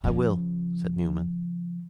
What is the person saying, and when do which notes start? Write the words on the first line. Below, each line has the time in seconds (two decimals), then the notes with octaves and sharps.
'I will,' said Newman.
0.04 C#3 F3